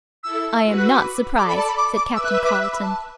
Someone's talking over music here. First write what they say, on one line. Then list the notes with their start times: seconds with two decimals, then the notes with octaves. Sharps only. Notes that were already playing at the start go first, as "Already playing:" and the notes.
"I am not surprised," said Captain Carleton.
0.24 E4 A4 E6
0.62 F#4 B4
0.78 F#6
0.85 E6
0.93 D6
1.00 B5
1.38 A4 D5 D6
1.48 B5
1.58 A5
1.68 B5
1.77 D6
1.96 D6
2.15 B4 E5 E6
2.24 F#6
2.34 E6
2.44 D6
2.54 F#6
2.63 E6
2.72 B5
2.82 A5